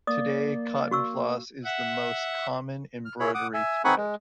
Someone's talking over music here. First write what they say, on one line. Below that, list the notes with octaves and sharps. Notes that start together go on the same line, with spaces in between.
Today cotton floss is the most common embroidery thread.
A#3 D5 D#6
F#4 C#6 E6
E5 F#5
F6
E4 G#4 C#5 B5
F#5 D6 D#6
E5 G#5
C4 D#4 F#5 G#5 B5 C#6
G#3